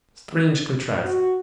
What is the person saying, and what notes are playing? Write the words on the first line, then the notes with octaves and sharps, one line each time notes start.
Strange contrast!
F#4